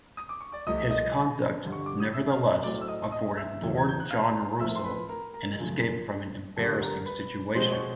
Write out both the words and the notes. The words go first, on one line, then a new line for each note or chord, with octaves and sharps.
His conduct, nevertheless, afforded Lord John Russell an escape from an embarrassing situation.
D#6
D6
C#6
D5 D6
C2 C3 F3 A3 D#5 D#6
D#5 D#6
G2 D3 G3
C#6
D6
D#6
E5 E6
F5 F6
A2 F#3 A3 C4 D5 D6
E6
D#5 D#6
D#5 D#6
E5 E6
E2 C#3 F#3
G#6
G6
F#6
F5 F6
A2 F3 A3 C4 E5 E6
C6
B4 B5
A#4 A#5
A#4 A#5
F#2 C#3 F3 A3
G2 D3 G3 B3 A4 A5
A#4 A#5
B4 B5
B2 G#3 C4 C5 C6
C#5 C#6